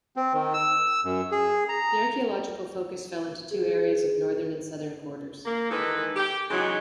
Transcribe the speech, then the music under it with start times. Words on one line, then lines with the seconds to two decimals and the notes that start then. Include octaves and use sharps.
The archaeological focus fell into two areas of northern and southern quarters.
0.16 C4
0.33 D#3
0.54 E6
1.04 F#2
1.32 G#4
1.69 A#5
3.51 G#4
5.46 A#3
5.70 D#3 E3 G#3 D#4 A4 B4
6.16 G4
6.50 C#3 E3 F#3 G#3 D#4